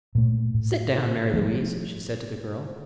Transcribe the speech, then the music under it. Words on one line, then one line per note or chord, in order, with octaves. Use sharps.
"Sit down, Mary Louise," she said to the girl.
A#2 A3
A2
F3 G3 A3 B3